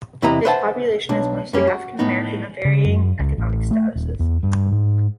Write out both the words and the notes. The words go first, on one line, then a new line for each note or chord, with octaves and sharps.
Its population is mostly African American, of varying economic statuses.
E2 C3 E4 B4 D#5 A#5
B4 C5 E5 F#5 G#5 A5
B1 D4
F#2 G3 A#3 C#4
F#4
A2 B3 D#4
C#3
F#2
C#2
A1
A3
D#1
E2
G2
G#2